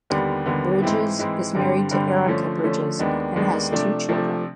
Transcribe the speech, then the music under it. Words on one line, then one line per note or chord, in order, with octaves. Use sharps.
Bridges is married to Erica Bridges and has two children.
D#2 D3 G3 B3
D#2 D3 G3 B3
G#2 E3 G#3 C4 E4
G#2 E3 G#3 C4 E4
G2 D3 G3 C4
G2 D3 G3 C4
D3 F3 A3 C#4
D3 F3 A3 C#4
D#2 D#3 G#3 B3 D4
D#2 D#3 G#3 B3 D4
C3 F3 A3 D4
C3 F3 A3 D4